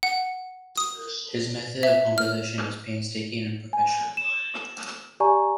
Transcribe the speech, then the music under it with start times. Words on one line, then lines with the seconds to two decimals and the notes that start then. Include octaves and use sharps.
His method of composition was painstaking and professional.
0.03 F#5
0.77 D#6
1.83 E5
2.18 F6
3.73 G#5
4.17 E7
5.20 G4 D5 G#5 A#5 C#6